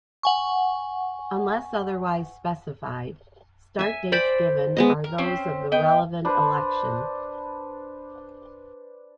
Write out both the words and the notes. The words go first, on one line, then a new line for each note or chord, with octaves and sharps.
Unless otherwise specified, start dates given are those of the relevant election.
F#5 G#5 C#6
E5 G#5
C5 D5 G5 B5
G#3 B3 D#5
A#4
C4 C#4 C5
B3 D#5 G5
D4 B4 C5